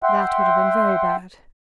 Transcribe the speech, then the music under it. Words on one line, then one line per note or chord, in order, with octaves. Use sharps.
"That would have been very bad."
E5 F#5 G5 C6